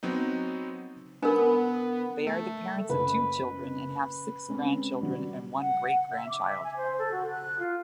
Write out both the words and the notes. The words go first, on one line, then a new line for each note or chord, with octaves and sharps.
They are the parents of two children and have six grandchildren and one great-grandchild.
F#3 B3 C4 D#4
B3 D4 A#4
A3
F#1 B4
G#3 C4 C#4
F#3 G3
F#5
E5
D6
E5
G#5
C5
A4
F#4
F#6
F4